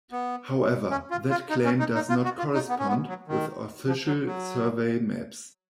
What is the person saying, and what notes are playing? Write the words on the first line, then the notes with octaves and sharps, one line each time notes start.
However, that claim does not correspond with official survey maps.
B3
C#4
F4
F4
D#4
C#4
D#4
D#4
F4
F#4
F4
D#4
B3
C#4
B3
F#3
D#3
F3
F#3
F#3